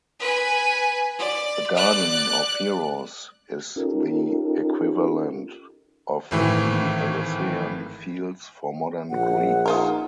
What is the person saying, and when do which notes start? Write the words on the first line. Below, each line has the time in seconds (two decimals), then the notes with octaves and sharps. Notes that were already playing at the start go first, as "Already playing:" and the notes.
The Garden of Heroes is the equivalent of the Elysian Fields for modern Greece.
0.20 B4 G#5
1.18 D5
1.76 D5 F#6
3.76 C#4 D#4 F4 G4 A4 A#4
6.31 G#1 A2 E3
9.10 A#1 F#5
9.66 D#4 F4 A#4